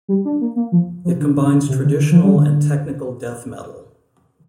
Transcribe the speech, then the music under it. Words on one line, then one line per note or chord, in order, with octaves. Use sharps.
It combines traditional and technical death metal.
G3
D4
A#3
A#3
F3
F3
D3
D3
D3
C3
D3
D3
F3
G3
D3